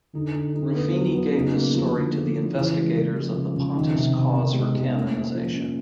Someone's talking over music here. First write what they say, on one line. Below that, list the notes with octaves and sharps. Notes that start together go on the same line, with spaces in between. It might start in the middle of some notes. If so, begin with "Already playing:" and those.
Ruffini gave this story to the investigators of the pontiff's cause for canonization.
D3 D#4
D#4
D#4
B3
F#3
B3
C#3 D#4
A#3
F3
D3 F3
F3
F3
C#3 E3
G#3
C#3
F3 G#3
C#3
C#3
D#3
C3
C3
C3 B3
G#3
G#3
A#3 C#4
C#4
F3
C#4